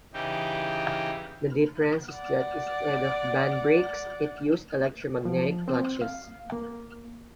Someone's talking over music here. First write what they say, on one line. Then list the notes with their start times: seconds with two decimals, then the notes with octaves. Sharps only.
The difference is that instead of band brakes, it used electromagnetic clutches.
0.13 C#3 E3 D#4 G4
2.11 D5 F#5
5.25 F3
5.68 C4
6.02 F5
6.52 A#3